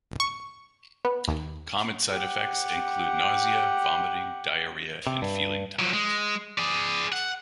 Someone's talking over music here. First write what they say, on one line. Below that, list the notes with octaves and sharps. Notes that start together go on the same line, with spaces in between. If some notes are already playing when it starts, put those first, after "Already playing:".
Common side effects include nausea, vomiting, diarrhea, and feeling tired.
C#6
B3
D#2
G4 F#5
C3
G2
F3 F#3
G#3
G#4 D5
F#5